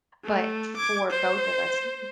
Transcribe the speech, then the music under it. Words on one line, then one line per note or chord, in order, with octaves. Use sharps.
but for both of us, m
A3
D6 G#6
C5